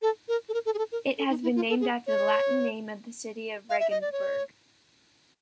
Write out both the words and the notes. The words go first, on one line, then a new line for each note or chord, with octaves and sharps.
It has been named after the Latin name of the city of Regensburg.
A4
A#4
A4
A#4
A4
G#4
A4
A#4
A4
D#4
E4
F4
A4
G#4
C#5
F5
E5
D#5
D5
C#5